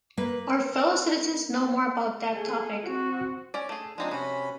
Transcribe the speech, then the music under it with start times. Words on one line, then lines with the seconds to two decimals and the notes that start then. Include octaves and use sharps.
Our fellow citizens know more about that topic.
0.17 A#3 B4
2.34 G#4 A4
2.85 C4 F#4
3.54 C#4 D5
3.69 A3 G#4
3.98 F3 G#3 C4 D4 D#4 G#4
4.11 C3 B3 C#4 F#4 B5